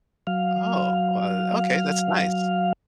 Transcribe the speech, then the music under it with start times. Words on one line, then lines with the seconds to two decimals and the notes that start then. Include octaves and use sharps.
Oh, uh, okay, that's nice.
0.27 F#3 F5